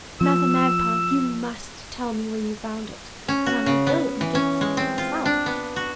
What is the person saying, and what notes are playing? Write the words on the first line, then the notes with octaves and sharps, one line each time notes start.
"Mother Magpie, you must tell me where you found it, that I may go and get some for myself."
F3 E6
C#4
F#4
C#3
B3
E3
C#4
G#3
C4
F4
D4
B3
F#4